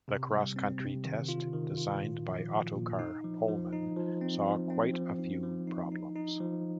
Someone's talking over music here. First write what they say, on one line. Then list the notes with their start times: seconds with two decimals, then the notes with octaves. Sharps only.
The cross-country test, designed by Ottokar Pohlmann, saw quite a few problems.
0.08 C3
0.32 G3
0.56 C4
0.80 C3
1.05 D#3
1.29 F4
1.53 D#3
1.77 F4
2.02 A#2
2.26 F3
2.51 F3
2.76 A#2
2.99 D#4
3.24 F3
3.49 F3
3.73 D#4
3.96 F3
4.21 C4
4.45 F3
4.70 C4
4.94 F3
5.19 D#4
5.43 F3
5.67 D#4
5.92 D#4
6.16 D#4
6.41 F3